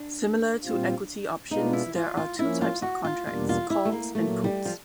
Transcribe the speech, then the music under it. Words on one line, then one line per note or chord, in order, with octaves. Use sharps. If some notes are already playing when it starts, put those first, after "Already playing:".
Similar to equity options, there are two types of contracts: calls and puts.
Already playing: D4
A#2 G3 C4 F4
B2 G#3 B3 D4 D#4 F4
E4
F4
F4
F3 A#3 C#4 E4
F4
F#4
F4
E2 B2 G3 A#3 D4 F4
F4
E4
A3
A#3
A#2 F#3 A3 A#3
G3
F3